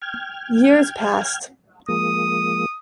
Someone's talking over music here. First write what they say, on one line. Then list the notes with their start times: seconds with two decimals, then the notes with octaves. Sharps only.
Years passed.
0.02 G5 F6 G#6
1.88 F3 G#3 A#3 D#6